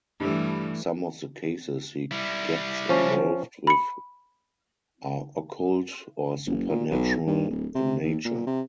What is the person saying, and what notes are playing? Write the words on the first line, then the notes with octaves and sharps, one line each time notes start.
Some of the cases he gets involved with are occult or supernatural in nature.
G2 E3 G3 A3
G3 E4
F3 C#4
B5 C#7
F#1
A#2
B1
G2
D1
C3
D#2
A#2
C3